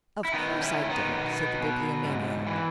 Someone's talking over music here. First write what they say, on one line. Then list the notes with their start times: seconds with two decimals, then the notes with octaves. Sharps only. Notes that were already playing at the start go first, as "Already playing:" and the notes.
"Of course I don't," said the Bibliomaniac.
0.25 E4
0.33 D#3 B3 D#4
0.62 C#4 E4
0.77 D#3
0.90 B3 D#4
1.19 B2
1.62 B2
2.04 G#2
2.47 E3